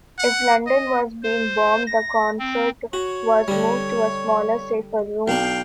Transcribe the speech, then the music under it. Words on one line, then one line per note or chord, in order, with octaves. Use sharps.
If London was being bombed, the concert was moved to a smaller, safer room.
F#5
D#5
C5
A#6
C4
F#4 C#5
D3 G3
B1 D4 F5 G5